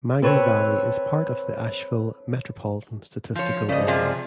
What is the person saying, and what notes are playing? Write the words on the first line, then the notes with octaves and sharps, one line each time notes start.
Maggie Valley is part of the Asheville Metropolitan Statistical Area.
C4 A4 B4 C#5
F3 C#5
B2
C#3 F3 G#3 D5 D#5
C3 F4 G#4